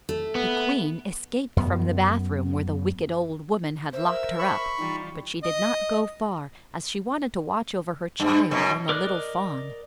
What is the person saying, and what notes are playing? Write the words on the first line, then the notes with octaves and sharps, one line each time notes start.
The queen escaped from the bath-room, where the wicked old woman had locked her up, but she did not go far, as she wanted to watch over her child and the little fawn.
A3
B3
F#2 B3
A#4 C5 E5 E6
B5 C#6
E3 G3 D#4 F4
D#5
G2
F#2 B2
A#4 D5 D#5 F#6